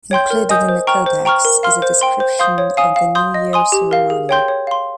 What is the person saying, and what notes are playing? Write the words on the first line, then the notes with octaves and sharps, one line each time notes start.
Included in the codex is a description of the New Year ceremony.
C#5 G5 C6 G6
A#4
D#5 G#5 D#6 G6
C5
G5 A#5 C#6 F6
C5
G5 A#5 C#6 F6
A#4
F5 C6 F6
C5
G5 C6
C5
F5 C6 D#6 G6
C#5
F5 G#5 D#6
F5
C6 D#6 G6
D#5
G#5 C6 D#6
G4
A#4 F5
G#4
C#5 G5 C6 G6
C#5
F5 C6